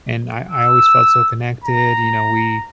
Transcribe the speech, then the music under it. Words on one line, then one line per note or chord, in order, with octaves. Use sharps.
And I I always felt so connected you know, we
E6
A#5